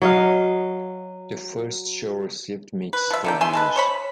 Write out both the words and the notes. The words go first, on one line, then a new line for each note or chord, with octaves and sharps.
The first show received mixed reviews.
F#3 D#5 F5
B4
F3 E5
D3 A#3 G5
E5 G#5 C6
G#3 A4 B4
C5 C#5 B5